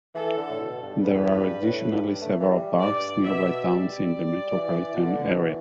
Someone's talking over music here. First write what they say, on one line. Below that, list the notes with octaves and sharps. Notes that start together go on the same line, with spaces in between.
There are additionally several parks nearby towns in the metropolitan area.
E3 A4
D3
A2
B2
G2
E2 B4
G2
A2
G2
A3
E3
G3
G2 D5
B2 E5
G3 D5
G3
E3
E3
B2
D3
B2
E3